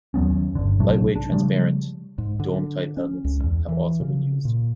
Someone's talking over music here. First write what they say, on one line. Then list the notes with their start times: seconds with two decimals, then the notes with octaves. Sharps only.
Light-weight transparent dome type helmets have also been used.
0.14 D#2 F#3 B3 C#4
0.55 G1 D3
0.80 A#1 C3 F#3 D4
1.16 D4
1.31 C#3 F3 G3 A3
2.18 G#2
2.40 D3
2.97 C#4
3.24 C#2
3.44 E2
3.69 E3
4.00 C#3
4.45 A#2